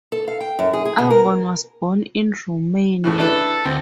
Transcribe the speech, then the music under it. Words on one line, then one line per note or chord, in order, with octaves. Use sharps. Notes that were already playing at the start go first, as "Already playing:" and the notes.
Avon was born in Romania.
A4
F5
G5
F#2
G#4
G#4
B2
A#4
A2 C#3 E3
D4 E4 A4 B4
D2 C4